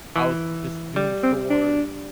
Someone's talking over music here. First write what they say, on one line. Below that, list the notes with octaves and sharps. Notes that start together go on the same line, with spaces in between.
I was just doing chores
E3
G3
C4
D4